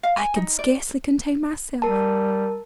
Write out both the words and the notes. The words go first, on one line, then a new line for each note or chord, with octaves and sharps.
I can scarcely contain myself!
F5
G#5
D#4
D5
G3 A#4 A5